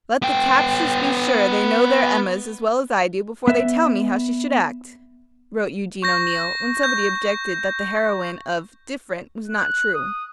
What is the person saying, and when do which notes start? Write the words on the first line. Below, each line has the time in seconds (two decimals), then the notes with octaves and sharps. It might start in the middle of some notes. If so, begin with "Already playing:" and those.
"Let the captious be sure they know their Emmas as well as I do before they tell me how she would act," wrote Eugene O'Neill when somebody objected that the heroine of "Diff'rent" was not true.
0.22 B3 G5
3.47 B3 E5
6.02 C#6 G6 A#6
6.83 G6
9.47 F#6
9.94 D#6